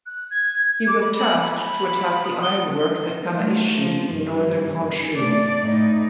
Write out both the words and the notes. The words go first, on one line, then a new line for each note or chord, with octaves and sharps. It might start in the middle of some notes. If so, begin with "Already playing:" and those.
He was tasked to attack the ironworks at Kamaishi in northern Honshu.
F#6
G#6
G#6
D6
B5
F#7
B5
D#6
G7
F#3 A3
F3
G2
A3 D5
A2 D#4